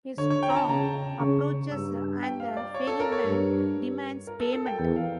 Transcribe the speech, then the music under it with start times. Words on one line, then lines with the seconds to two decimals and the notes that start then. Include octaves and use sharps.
A storm approaches and the ferryman demands payment.
0.18 D3 C#5
0.30 C#5
0.43 G5
0.50 A#5
0.56 A5
0.69 C#3 A#5
1.19 C#3 C#6
1.71 G2 E6
2.23 G5
2.40 F5
2.57 D5
2.74 C#5
2.87 A4
3.00 A#4
3.12 C#5
3.25 G2
4.27 A#4
4.40 A4
4.53 A4
4.66 G5
4.79 E2 G5
4.96 F5